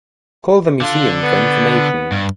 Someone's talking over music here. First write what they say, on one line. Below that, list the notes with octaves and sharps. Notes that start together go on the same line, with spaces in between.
Call the museum for information.
D3 D4 F4
B3
G2